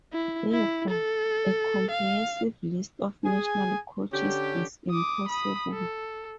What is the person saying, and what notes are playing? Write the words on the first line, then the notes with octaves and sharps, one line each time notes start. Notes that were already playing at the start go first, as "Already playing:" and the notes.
Therefore, a comprehensive list of national coaches is impossible.
E4
E4
A4
F5
G#4 G#5
D3 C#4 G4
D6 D#6
B5 D#6
A4